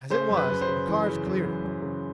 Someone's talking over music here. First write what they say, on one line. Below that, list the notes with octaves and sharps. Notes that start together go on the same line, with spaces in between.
As it was, the cars cleared it.
C#3 C5
F#2
B4
F#2
C5
C#3
E3
C#3
F#2
E3
F#2
C#3